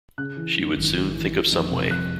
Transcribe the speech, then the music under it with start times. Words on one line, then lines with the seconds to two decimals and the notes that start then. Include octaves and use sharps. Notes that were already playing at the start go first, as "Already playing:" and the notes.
She would soon think of some way.
0.18 C#3 F#6
0.37 E3
0.56 F#2
0.76 G#1
0.95 C#3
1.14 E3
1.33 D#3
1.52 F2
1.71 C3
1.90 F2 F#6